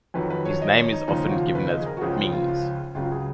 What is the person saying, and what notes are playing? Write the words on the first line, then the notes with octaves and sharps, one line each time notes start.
His name is often given as "Mings".
F2 D#3 F#3 B4
B4
C#5
D#5
C#5
D#4
D#2 C#3 F3 D#4
F#4
F4
B4
D#5
G#4
A#4
F#4
C#2 C#3 F3 G#4
F4
F4
F4
C#2 C#3 F#3 F4
G#4